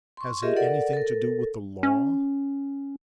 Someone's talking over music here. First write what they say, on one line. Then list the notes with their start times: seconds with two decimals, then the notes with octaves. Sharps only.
Has he anything to do with the law?'
0.17 C6 C#6
0.42 F4 G4 G#4 A#4 D#5 E5
0.56 A4 A#4 D5 F#5
0.93 A4 A#4
1.83 C#4